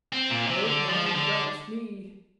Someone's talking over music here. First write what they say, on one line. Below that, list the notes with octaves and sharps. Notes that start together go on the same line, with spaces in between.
Don't mind about me.
C4
A#2
C3
D3
F3
F3
D3